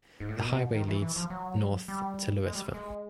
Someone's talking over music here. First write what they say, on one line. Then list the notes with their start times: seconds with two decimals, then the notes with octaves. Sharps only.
The highway leads north to Louisville.
0.20 G#2
0.29 A2
0.36 A#2
0.45 B2
0.73 D#3
0.88 E3
1.02 E3
1.16 F3
1.30 F#3
1.88 G3
2.46 G#3
2.55 G3
2.74 G#3